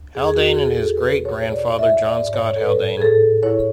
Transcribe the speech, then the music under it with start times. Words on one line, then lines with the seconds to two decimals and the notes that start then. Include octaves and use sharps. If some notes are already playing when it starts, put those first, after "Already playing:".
Haldane and his great-grandfather John Scott Haldane.
Already playing: D2
0.15 E2 G#4
0.27 G#4
0.35 F#4
0.56 E2 G#4
0.68 A4
0.77 G#4
0.97 B2 B4
1.25 C#5
1.38 B2
1.52 D5
1.79 E4 E5
2.07 D5
2.21 G#2
2.34 C#5
2.56 A4
2.61 A2 B4
2.97 G#4
3.02 A2 A4
3.43 E4 C#5